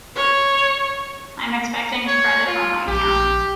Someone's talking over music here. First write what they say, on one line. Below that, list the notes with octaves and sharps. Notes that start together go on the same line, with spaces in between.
I'm expecting a credit on my account.
C#5
C#5
F4
A#1 G4